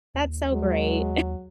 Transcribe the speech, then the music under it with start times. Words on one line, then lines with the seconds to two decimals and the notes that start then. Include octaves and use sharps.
that's so great.
0.15 D#2
0.53 F#3 G#3